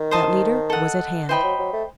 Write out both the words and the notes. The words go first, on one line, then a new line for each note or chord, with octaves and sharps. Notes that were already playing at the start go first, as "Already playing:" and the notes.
That leader was at hand.
Already playing: D#3
C5 D#5 A5 D#6
A4 D#5 F#5
E3 C5 D#5 G5 B5
F#3
F#3
A3